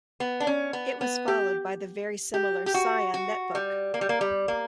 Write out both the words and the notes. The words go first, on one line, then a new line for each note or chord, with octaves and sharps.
It was followed by the very similar Psion netBook.
B3
D4
C#4
B3
B3
G4
G4
G4
F#4
F#4
G3
A#3
G3
A#3
G3
A#3